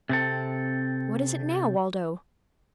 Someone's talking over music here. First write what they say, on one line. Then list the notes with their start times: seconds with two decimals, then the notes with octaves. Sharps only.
"What is it now, Waldo?"
0.09 C3 C4 A4